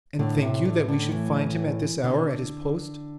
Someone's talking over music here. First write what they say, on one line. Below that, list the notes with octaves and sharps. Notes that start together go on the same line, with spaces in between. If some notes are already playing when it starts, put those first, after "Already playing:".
"And think you that we should find him at this hour at his post?"
A2 D3
B2
C3
D3
D3
E3
B2 D3